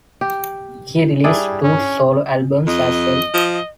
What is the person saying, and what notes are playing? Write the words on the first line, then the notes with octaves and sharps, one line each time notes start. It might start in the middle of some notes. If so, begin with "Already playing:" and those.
Key released two solo albums as well.
G4
G3 D4 E4 G#4
C#4
F2 D#5
F3